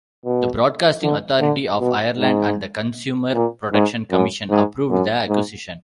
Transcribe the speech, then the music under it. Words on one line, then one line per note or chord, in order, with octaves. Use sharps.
The Broadcasting Authority of Ireland and the Consumer Protection Commission approved the acquisition.
B2
D3
D3
B2
G#2
A#2
G#2
F#2
G#2
F#2
G#2